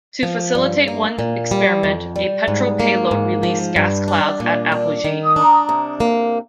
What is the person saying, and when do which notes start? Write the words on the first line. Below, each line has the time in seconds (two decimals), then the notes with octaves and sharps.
To facilitate one experiment, a Petrel payload released gas clouds at apogee.
0.23 F3
0.55 G2
0.88 A#3
1.19 A#2
1.51 G3
1.83 F2
2.16 G3
2.48 G#2
2.80 A#3
3.11 G#2
3.43 F3
3.76 G2
4.08 D4
4.40 A#2
4.72 D4
5.04 D#3
5.36 D4
5.69 C3
6.00 A#3